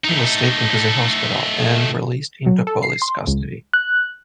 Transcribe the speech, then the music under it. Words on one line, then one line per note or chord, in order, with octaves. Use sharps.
He was taken to the hospital and released into police custody.
A3 D#4
F#3
A4
C7
C6
C#2
F#6